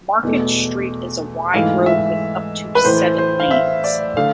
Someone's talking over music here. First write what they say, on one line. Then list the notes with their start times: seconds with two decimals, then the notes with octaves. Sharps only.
Market Street is a wide road with up to seven lanes.
0.23 E2 B2 A3
1.54 G#2 E3 A3 F5
1.86 E5
2.75 B4
2.85 A2 E3 A3 C5
3.18 C5
3.40 F5
3.51 E5
3.84 D5
4.16 D3 A3 F5